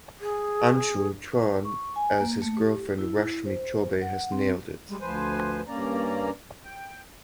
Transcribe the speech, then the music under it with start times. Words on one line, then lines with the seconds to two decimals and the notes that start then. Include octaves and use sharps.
Anshul Chauhan as his girlfriend Rashmi Chaubey has nailed it.
0.20 G#4
1.65 C#6
1.96 G#5
2.20 A#3
2.42 A3
2.57 G4
2.99 E4
3.45 C5
4.01 F#5
4.32 C4
4.89 G3 G#3
5.01 D2 F3 B4 C5 G#5
5.68 G2 A#3 C#4 D5 A#5
6.65 G5